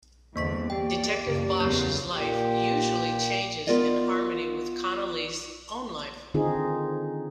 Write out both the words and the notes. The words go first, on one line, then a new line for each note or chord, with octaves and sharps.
Detective Bosch's life usually changes in harmony with Connelly's own life.
E2 G2 D3 A#3 C5 C#6 B6
A#3 G4 D5 G5
F#1 C#2
E2 F#3 A3 A#3 F4 C#5 G6
A#2 G4
B3 F4 A#4 D5 D#5
D3 D#3 C4 D#4 F4 G#4